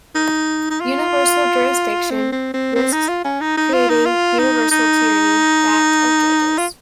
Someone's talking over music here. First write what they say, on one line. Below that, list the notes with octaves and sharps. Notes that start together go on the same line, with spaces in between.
Universal jurisdiction risks creating universal tyranny-that of judges.
D#4
D#4
F4
C4
C4
C4
C4
D#4
F4
C#4
D#4
D#4
F4
D#4
F4
D#4
D#4
F4